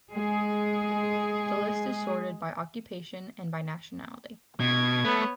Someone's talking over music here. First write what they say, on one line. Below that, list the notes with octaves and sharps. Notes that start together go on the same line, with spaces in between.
The list is sorted by occupation and by nationality.
G#3 G#4
B2 G#6
A3 B3 C#5